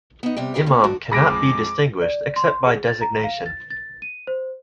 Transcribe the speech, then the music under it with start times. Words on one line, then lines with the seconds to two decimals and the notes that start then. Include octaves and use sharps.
Imam can not be distinguished except by designation.
0.23 B3 D#4
0.36 C3 G3 D4 G4
0.54 D#4 G4 G#4 B4 D5
0.66 A#2 A#3 B3 C#4
0.83 F#3 D4 F#4
1.11 F2 G#3 G#4 B5 D6 A#6 D7
2.02 D5
2.36 C6
2.66 G#4
2.87 A6
3.01 A#5
3.24 F5
3.46 A6
3.70 A6
4.02 D#7
4.27 C5